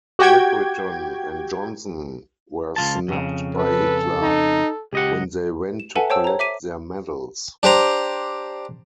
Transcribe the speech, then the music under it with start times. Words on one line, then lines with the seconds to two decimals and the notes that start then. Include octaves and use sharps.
Albritton and Johnson were snubbed by Hitler when they went to collect their medals.
0.19 F#4 G4 G5 G#6
2.76 C#2 F4 A5
3.08 F2 C#3
3.55 A4 B4
4.21 D#4
4.93 C#2 G4 D#5 F#5
5.80 E7
5.95 A4 B4 E5 F#5 G#5 A5
6.10 C5 C#5 G5 A5 E6
6.24 C#5 A#5
6.39 E5 D6 B6 D#7
7.63 D4 G4 C5 A#5